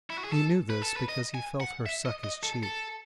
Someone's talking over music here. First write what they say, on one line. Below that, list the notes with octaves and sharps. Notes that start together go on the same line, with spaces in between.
He knew this because he felt her suck his cheek.
E4
F#4
G#4
A4
B4
A4
B4
D#5
G#5
F#5
E5
D#5
D#5
A4
A4